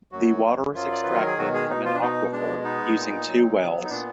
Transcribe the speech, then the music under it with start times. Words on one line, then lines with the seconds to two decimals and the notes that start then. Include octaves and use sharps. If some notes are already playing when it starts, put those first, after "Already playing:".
The water is extracted from an aquifer using two wells.
0.12 F#2 F#3 F#4
0.44 F#2
0.75 F3 F#3 F4
0.92 D5
1.03 D#3 B4
1.15 A#4
1.26 G#4
1.38 B2 F#3 F#4
1.54 G#3 G#4
1.70 B2 D#4
1.85 F3 F4
1.95 D4
2.01 B2 D#4
2.33 G#3 D4
2.64 B3 D#4
2.96 A#2
3.27 F#3
3.58 B3
3.85 D#4
3.90 A#2 D4